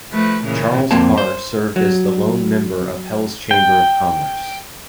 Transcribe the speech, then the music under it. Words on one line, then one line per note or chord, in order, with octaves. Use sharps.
Charles Carr served as the lone member of Hell's Chamber of Commerce.
F3 A3 B4
A#2 C#3 E3
F2 A#3 C4 C5 A5
C5
F#3
G5